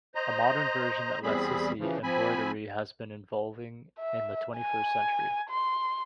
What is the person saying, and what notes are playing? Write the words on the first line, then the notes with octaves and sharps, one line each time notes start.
A modern version of Assisi embroidery has been evolving in the twenty-first century.
C5 D#5 A#5
E2 G3 C4 G#4 B5
C#3 E3 F3
F3 C4 G#5 B5
E5
G#5
C6